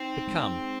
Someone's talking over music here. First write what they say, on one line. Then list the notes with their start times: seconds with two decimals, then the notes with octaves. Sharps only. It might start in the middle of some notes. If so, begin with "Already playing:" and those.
But come!
Already playing: C4 D#4
0.28 G#3